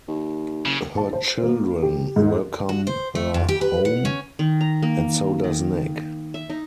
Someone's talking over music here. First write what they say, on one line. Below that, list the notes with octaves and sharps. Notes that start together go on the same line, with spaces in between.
Her children welcome her home, and so does Nick.
D#2
F#1 C#3
A5
C5
A#3
G4
G#2
F#4
C5
A3
F2
G4
B4
F#5
C#4
D#3
A#5
A#3
D#3
E5
D#4